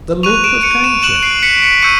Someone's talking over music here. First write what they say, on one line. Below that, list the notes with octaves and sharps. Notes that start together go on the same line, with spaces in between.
The look was transient.
C#6 F#6 D#7 F7
D7 E7
C#7 D#7
D7 E7
C#6 F#6 E7 F#7
C7 D7
B6 C#7
B6 C#7
C#6 E6 G6 C#7 D#7